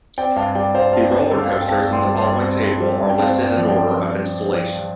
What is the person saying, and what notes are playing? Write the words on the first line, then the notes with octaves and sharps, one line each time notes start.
The roller coasters in the following table are listed in order of installation.
C4 D5 G5
G2 F5 A5
G3 D5 G5
G2 C5 F5
C4 F5 A5
G2
G3 A4 D5
F5
G2 A4 D5
G5
C4 F5 A5
G2
G5 C6
G3
G5 C6
G2
C4
G2
G3
G2
G5
C4 F5 A5
G2
D5 G5
F3
D5 G5